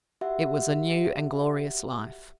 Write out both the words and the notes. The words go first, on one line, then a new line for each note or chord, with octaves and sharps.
It was a new and glorious life.
F#4 G4 E5 F#5